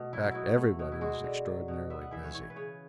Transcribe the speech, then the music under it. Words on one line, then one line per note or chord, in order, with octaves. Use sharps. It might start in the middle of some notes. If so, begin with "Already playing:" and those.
In fact, everyone is extraordinarily busy.
Already playing: B2 A3
F#3 E4
F#4
B2 E4
A3
B2
E4
G#3 F#4
D3
F#3
B2
B3 E5
F#5
E3 E5
C#5
E3 C#5
B4
C#3 C#5